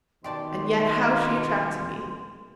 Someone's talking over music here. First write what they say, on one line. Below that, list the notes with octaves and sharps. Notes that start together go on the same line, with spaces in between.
And yet how she attracted me!
B2 D#3 G4 D5 A5 C6